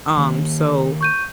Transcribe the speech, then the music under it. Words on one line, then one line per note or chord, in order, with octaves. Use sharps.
um, so
D#3 A#3
C#6 G6 D#7